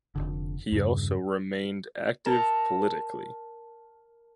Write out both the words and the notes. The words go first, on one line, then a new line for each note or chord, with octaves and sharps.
He also remained active politically.
F1 B1 D3
E2 G2 C#3
A#4 A5 A#5